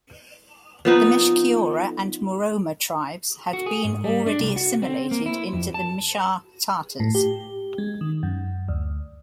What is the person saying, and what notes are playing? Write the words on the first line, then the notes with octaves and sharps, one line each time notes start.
The Meshchyora and Muroma tribes had been already assimilated into the Mishar Tatars.
F3 B3 D#4
F#4
G#4
G#2
G3
D4
C2
F#4
C4
A#3
E4
F2
A5
A2
G4
G#3
D#3
F#2
D2